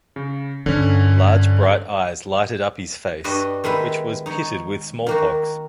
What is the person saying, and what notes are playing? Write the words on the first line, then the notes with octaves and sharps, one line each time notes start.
Large bright eyes lighted up his face, which was pitted with smallpox.
C#3
G2 D3 C#4
G2 G3 F#4 D#5
D#3 G#3 B3 E4
D#4 C#5
D#3 A#3 F#4